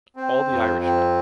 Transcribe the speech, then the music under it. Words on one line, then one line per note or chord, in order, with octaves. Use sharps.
All the Irishmen.
C4
F2
C4